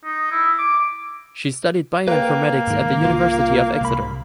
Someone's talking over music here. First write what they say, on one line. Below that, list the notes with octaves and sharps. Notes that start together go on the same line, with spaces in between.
She studied Bioinformatics at the University of Exeter.
D#4
E4
D6
A#3 B4 G5
G#2 D#3
C2 F4
C2 B5